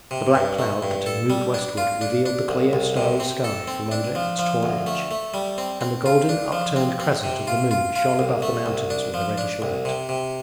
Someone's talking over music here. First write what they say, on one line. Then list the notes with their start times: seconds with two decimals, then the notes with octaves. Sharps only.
The black cloud that had moved westward revealed the clear starry sky from under its torn edge, and the golden upturned crescent of the moon shone above the mountains with a reddish light.
0.11 C3
0.35 G2
0.59 A3
0.83 G2
1.06 A4
1.30 G3
1.54 D4
1.77 F4
2.01 D4
2.26 D4
2.49 C2
2.73 C2
2.97 C3
3.20 C4
3.44 A4
3.68 C4
3.92 D4
4.15 F3
4.39 F3
4.63 D2
4.86 A3
5.11 A3
5.34 G3
5.58 C4
5.81 C4
6.06 F4
6.29 D4
6.52 F3
6.76 C4
7.00 C4
7.23 C3
7.47 F4
7.71 F4
7.95 F4
8.19 C2
8.42 A3
8.66 C2
8.90 D4
9.14 F3
9.38 D4
9.62 C2
9.85 C3
10.09 C3